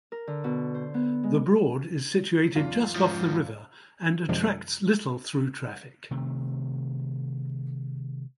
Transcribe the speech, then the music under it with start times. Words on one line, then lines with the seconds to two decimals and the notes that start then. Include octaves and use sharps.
The broad is situated just off the river and attracts little through traffic.
0.12 A#4
0.27 D3
0.44 B2
0.75 C5
0.94 B3
1.23 G#3
2.55 G#1 F2 F4
2.96 G#2 F3
4.29 F#2 C3 D#3 F3 G#3 D4
6.11 C3 D#3 A3